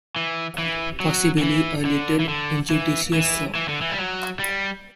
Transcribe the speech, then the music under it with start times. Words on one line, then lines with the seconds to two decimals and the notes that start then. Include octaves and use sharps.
Possibly a little injudicious, sir.
0.16 E3
0.58 E3
1.00 F#3
1.38 D3
1.43 E3
1.85 D3
2.19 E3
2.29 D3
2.70 E3
3.13 E3
3.55 E3
3.69 D3
3.81 E3
3.91 G3
3.98 F#3
4.40 G3